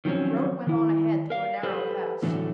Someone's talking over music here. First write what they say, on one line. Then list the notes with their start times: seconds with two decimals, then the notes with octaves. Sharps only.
The road went on ahead through a narrow pass.
0.05 D#3 F3 F#3 C4 C#4
0.67 D#3 E4
1.30 A#4 F5
1.63 G4 A4 B4 C5
2.22 A2 D3 E3 F#3 A3